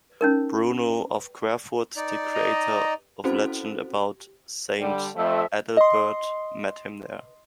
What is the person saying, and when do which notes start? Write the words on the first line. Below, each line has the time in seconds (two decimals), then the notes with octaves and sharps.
Bruno of Querfurt, the creator of legend about Saint Adalbert, met him there.
0.21 C#4 D#4 A#4
1.97 D#4 D5
2.34 D#5 A#5
3.24 C4 C#4 E4 F#4 A4 C5
4.80 D3 G3
5.16 F2 F3 A3 E5
5.77 D#5 C6